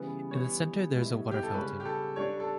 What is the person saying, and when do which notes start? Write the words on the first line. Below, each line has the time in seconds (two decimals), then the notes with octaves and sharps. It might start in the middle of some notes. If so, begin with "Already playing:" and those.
In the center there is a water fountain.
Already playing: C#3 E3 G3 B3
0.31 E3 G3 B3 C#5
0.94 B2 G3 B3 E4
1.31 G4
1.43 A4
1.54 C#3 G3 C#4 B4
1.80 G4
1.85 A4
2.16 G3 D4 G4 C#5 D5
2.40 A4